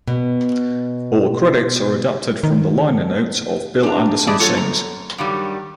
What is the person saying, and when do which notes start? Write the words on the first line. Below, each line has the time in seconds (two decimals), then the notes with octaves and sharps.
All credits are adapted from the liner notes of "Bill Anderson Sings".
0.08 B2
2.43 D#3
3.83 D4 A#5
4.27 E3 G4 G#4 D5 D#5 A5
4.39 F#3 F4 A4 C#5
4.57 F#2 A#5
5.18 G2 D#3 F#3 G3